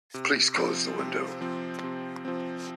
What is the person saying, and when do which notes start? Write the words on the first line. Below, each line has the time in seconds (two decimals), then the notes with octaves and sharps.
Please close the window.
0.14 C3
0.57 F3 C4
0.99 C3
1.41 F3 C4
1.84 C3
2.25 F3 C4